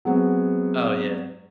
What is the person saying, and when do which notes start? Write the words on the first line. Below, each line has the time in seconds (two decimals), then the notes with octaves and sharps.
Oh, yeah.
0.05 F#3 G#3 B3 C4